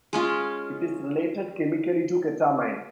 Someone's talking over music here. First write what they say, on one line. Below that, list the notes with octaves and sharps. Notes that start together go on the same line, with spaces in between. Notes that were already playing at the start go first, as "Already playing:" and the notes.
It is related chemically to ketamine.
G#3 C#4 F4